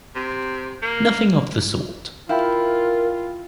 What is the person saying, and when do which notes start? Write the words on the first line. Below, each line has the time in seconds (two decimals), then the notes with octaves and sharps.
Nothing of the sort.
0.15 C3
0.82 A#3
2.29 E4 F4 A#4 F5 G5 B5